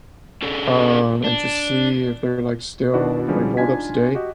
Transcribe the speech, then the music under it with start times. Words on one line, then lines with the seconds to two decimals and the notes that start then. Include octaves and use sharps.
um, and to see if they're, like still, like, hold up today.
0.42 C#4 D4 G#4 A4
1.24 D4
2.94 D#3 B3 D4 E4 F#4 D5
3.28 D3 F3 G3 G#3 C#4 E4
3.57 D4 D#4 F4 G#5 G#6 B6
4.15 F#4 G4 D#5